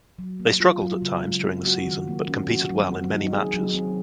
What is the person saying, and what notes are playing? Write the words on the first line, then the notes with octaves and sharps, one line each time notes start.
They struggled at times during the season but competed well in many matches.
F#3
A#3
F4
F#3
C#3
G#3
C4
F#4
D#3
A#3
C#4
F#4
F#3
C4
D#4
G#4
F#3
C4